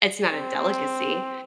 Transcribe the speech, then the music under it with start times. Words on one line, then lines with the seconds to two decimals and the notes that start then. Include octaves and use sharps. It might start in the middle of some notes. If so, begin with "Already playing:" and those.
it's not a delicacy.
0.32 C4